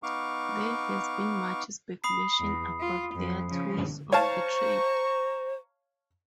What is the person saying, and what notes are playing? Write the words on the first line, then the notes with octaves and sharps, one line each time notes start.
There has been much speculation about their tools of the trade.
B3 D#4 F5 C#6 D6
B5 D#6 C7
E2
F4
F2
C#3 F3
C5 C#5 F5 A5 A#5 C#6